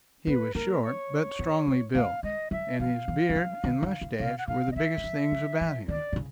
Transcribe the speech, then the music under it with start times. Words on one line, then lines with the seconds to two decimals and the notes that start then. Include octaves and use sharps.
He was short but strongly built, and his beard and mustache were the biggest things about him.
0.27 B3 B4
0.54 A#3 A#4
0.83 C#5
1.39 B3
1.67 A#3
1.95 A3 F5
2.23 G#3 D#5
2.51 F#3 E5
2.80 F3 F5
3.08 E3
3.30 F3
3.35 E3
3.64 D#3
3.83 D3
4.02 C#3
4.19 C3 F5
4.38 F#5
4.48 C#3 F5
4.68 D#3
4.72 D#5
4.76 D3 E5
4.97 E3
5.04 F3
5.32 F3
5.61 E3
5.88 D#3 D5
6.13 C3
6.16 C#3